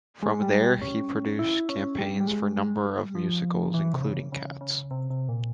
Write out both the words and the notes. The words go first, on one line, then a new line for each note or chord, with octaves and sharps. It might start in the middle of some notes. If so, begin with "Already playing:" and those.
From there, he produced campaigns for a number of musicals, including "Cats".
G#3
G3
G3
C#4
E4
C#4
G3
G3
G#3
G#3
G3
F3
E3
C3
C#3
C#3
C#3
C3
C3
A#2